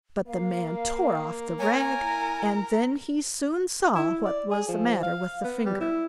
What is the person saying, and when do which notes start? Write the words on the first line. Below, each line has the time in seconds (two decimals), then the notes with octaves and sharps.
But the man tore off the rag, and then he soon saw what was the matter with the finger.
0.27 A#3 F5
1.59 A#4 C#5 G#5
1.99 E4
3.95 E4
4.26 D5
4.51 G#4
4.68 F3
5.03 F5
5.44 B3
5.66 G3
5.81 E4